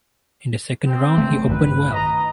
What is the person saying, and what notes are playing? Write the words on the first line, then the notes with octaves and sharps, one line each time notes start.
In the second round he opened well.
C4
C#3 A3
B1 G2 D#3 B4
D#5 A#5